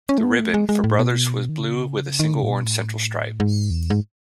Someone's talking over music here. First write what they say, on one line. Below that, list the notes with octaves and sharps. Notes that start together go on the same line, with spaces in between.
The "ribbon" for Brothers was blue with a single orange central stripe.
C#4
A3
B3
A3
G#3
G#3
A2
B2
D#3
C#3
D#3
C#3
A2
B2
A2
G#2
E2
G#2